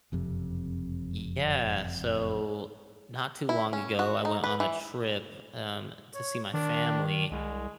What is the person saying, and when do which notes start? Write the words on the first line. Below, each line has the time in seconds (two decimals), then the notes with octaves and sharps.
Yeah, so, not too long ago, I went on a trip, um, to see my family,
0.12 F#1 F2 C3
3.49 E4
3.73 C#4
3.99 F#4
4.25 D#4
4.44 B4
4.60 E3
6.15 C#5
6.54 D#3 D4
7.31 C2 G#3